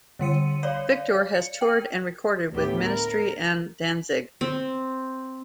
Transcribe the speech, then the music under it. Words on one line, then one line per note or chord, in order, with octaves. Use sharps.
Victor has toured and recorded with Ministry, and Danzig.
D3 G3 C#7 D#7
C#5 D5 F5
C#7
A#4 G5
D2 A2 B3 G4
A#4
C4